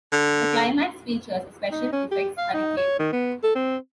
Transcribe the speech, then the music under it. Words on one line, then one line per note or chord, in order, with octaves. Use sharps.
The climax features a special effects hurricane.
D3
D#4
C#4
G4
F5
D#4
C#5
D#3
B3
A4
C4